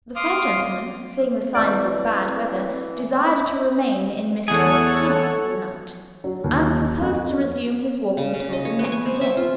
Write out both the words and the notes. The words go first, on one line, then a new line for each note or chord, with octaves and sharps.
The fair gentleman, seeing the signs of bad weather, desired to remain in Mr. Rook's house for the night, and proposed to resume his walking tour the next day.
F5 C6 D6 D#6 F6
E3 C4 D5
E2 G#4 A4 C#5 F#5
F#3
D#2
F2
C#3
C#3
D#5
C#5
B3
G#5
C4
E5
F4